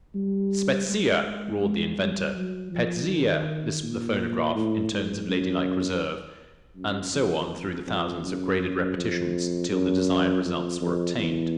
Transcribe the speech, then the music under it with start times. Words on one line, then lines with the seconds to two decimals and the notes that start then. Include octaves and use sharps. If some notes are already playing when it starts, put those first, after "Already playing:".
'Spezia,' roared the inventor, 'Pezia' lisped the phonograph in tones of ladylike reserve, and so on through thousands of graded repetitions till the desired results were obtained.
0.15 G3
0.88 G#3
1.62 G#3
1.99 G3
2.36 F#3
2.72 F3
3.08 D#3
3.83 A#2
4.55 A2
4.92 G#2
5.29 F#2
6.76 F#2
7.13 F2
7.50 F2
7.86 F2
8.24 F#2
8.97 F2
9.70 F#2
10.44 F2
10.81 F2
11.17 E2